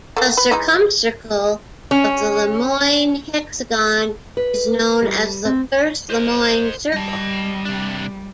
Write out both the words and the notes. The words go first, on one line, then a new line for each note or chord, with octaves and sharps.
The circumcircle of the Lemoine hexagon is known as the first Lemoine circle.
A3 A#3
B4
E3 G#3 D#4
C#4
B4
G3
C4
C5 D#5
G3 D#5 A5
C3 D4